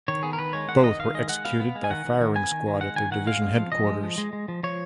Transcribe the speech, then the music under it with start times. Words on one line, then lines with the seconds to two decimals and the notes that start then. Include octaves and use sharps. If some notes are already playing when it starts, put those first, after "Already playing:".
Both were executed by firing squad at their division headquarters.
0.08 D#3 C#5
0.23 B3 G#4
0.33 A#4
0.38 D#3 B4
0.53 G#3 C#5
0.68 D#3 F#5
0.83 D#3 D#5
0.99 D#3 F5
1.14 G#3 D#5
1.29 G#3 F#5
1.45 B3 F5
1.60 B3
1.75 G#3
1.84 G#5
1.90 D#3 F#5
2.05 D#3
2.21 D#3
2.36 B3 G#5
2.51 D#3
2.67 D#3
2.81 G#3 F#5
2.96 D#3 G#5
3.11 D#3 F#5
3.26 G#3 F5
3.42 G#3
3.58 F3
3.72 F3 D#5
3.87 G#3
4.03 F3
4.18 G#3
4.33 G#3
4.48 F3
4.63 F3 C#5